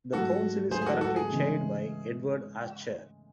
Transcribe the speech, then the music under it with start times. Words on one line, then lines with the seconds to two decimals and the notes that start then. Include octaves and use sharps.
The Council is currently chaired by Edward Asscher.
0.13 G#2 F#3 A3 F#4 A4
0.71 G#2 F#3 A3 G#4 C5
0.82 G#4
0.86 F#4 A4
1.01 F#4 A4
1.16 G#4
1.30 C#3 E3 G#3